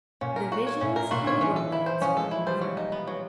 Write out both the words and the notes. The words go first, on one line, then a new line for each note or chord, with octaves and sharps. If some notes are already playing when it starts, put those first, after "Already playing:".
The visions of romance were over.
A#2 C#4
A#4
F#4
C#5
A2 C#4
A#4
A#2 F#4
D3
D#3 C#5
E3 C#4
A4
E4
C5
F3 C#4
G#3 A4
E4
G3 C5
F#3
D#4
B3
F#3